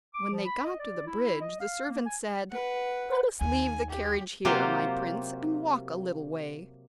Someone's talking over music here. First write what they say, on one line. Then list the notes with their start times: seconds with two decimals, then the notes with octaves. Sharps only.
When they got to the bridge the servant said: 'Let us leave the carriage here, my prince, and walk a little way.
0.14 D6
0.31 F3
0.45 B5
0.64 D#5
0.79 D5
1.07 E4
1.41 D#5
1.60 F5
1.89 A#3
2.05 G#5
2.50 B4 F#5
3.41 D#2 G#5
3.91 G4
4.45 C3 F#3 A#3 F4 G4 C5